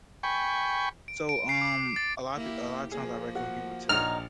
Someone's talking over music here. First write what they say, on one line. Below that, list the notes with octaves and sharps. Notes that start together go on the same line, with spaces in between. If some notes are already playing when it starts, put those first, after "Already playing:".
So, um, a lotta p a lotta times, I recommend people to
G5 G#5 B5 C#6
D7
D7
C7
D6
A6
A#3 E4 G4
F3 A#3 G#4
F#4
A#1 F#3 D#4 F6